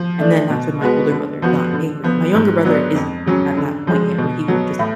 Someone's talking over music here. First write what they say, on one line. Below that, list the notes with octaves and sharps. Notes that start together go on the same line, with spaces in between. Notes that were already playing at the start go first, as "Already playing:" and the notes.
And then that's when my older brother got angry. My younger brother isn't at that point yet where he would just
Already playing: F3
A3 D4
B2
G#3 B3 F#4 B4
D3
F3 B3 F#4
D3
F3 B3
G#2
F#3 B3 D4
F2
C#3 F#3 C#4
D3
F3 G#3
B2
F#3 B3
A2